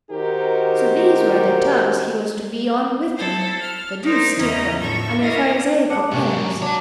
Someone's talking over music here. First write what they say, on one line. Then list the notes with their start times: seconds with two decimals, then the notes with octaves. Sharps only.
So these were the terms he was to be on with them--the deuce take them and their pharisaical airs!
0.10 D#3 D#4 F#4 G4 A#4 C5
3.17 E4 A4 C5
3.61 F6
4.05 D#4 E4 A#4 C5 D5
4.37 E2 C#3 E3 C#4 D#5 A#5
4.80 A2 D3 A4 C#6
5.21 E4 F#4 A#4 D5 D#5 F5
5.90 D4 F#5
6.12 G#2 C3 A#3 C#4
6.29 F#3
6.62 D4 C#5 F#5